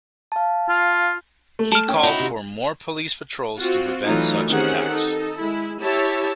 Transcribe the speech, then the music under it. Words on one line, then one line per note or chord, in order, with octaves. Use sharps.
He called for more police patrols to prevent such attacks.
F5 A5
F4
A3
A5 F6
C#4 G5
D#4 E4 F#4
C3
C4 F4 F#4
E3 F#3 A3 D#4 F4
D#3 C4 C#4 G4 G#4 F#5
D#4 A4
G#3 E4
E4 G4 C#5 E5 A5